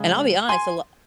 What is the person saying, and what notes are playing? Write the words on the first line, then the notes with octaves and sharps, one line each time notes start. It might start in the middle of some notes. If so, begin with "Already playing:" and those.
And I'll be honest, a lot
Already playing: C#3 G#3
G#5 C6